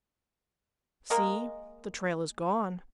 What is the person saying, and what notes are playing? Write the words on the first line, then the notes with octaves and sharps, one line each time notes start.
See, the trail is gone!
G#3 A#3 A#4 D#5